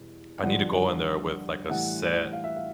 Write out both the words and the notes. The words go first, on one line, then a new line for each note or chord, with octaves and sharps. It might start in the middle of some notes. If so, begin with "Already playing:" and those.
I need to go in there with, like, a set,
Already playing: E2 B2 G3
G2 D3 F3 F#5
A2 E3 G3 F#5
F5
E5
F5